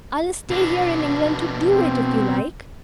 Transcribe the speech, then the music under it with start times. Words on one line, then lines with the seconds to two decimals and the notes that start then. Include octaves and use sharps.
I'll stay here in England to do it, if you like.
0.50 B2 D4
1.71 C4